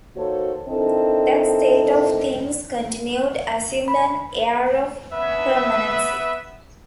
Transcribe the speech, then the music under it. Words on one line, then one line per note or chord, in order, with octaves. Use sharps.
That state of things continued, assumed an air of permanency.
D#3 A#3 F#4 A4 C5 C#5
D#3 C4 D4 E4 A4 D#5
B5
B3 B4 E5